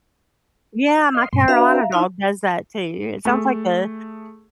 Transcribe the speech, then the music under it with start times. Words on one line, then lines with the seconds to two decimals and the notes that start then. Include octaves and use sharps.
Yeah, my Carolina dog does that too. It sounds like the
1.14 D#5 F5 C6
1.33 G2 B2 C6
1.48 D4 F#4 B4 E5 F5 A#5
1.92 D#4 E4 C#5 F5 B5 F6
3.25 A3 G#4 A4